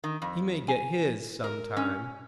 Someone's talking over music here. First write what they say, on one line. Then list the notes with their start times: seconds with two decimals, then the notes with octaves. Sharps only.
"He may get his some time."
0.04 D#3
0.22 F2
0.68 G#5
1.44 A#4
1.77 C#4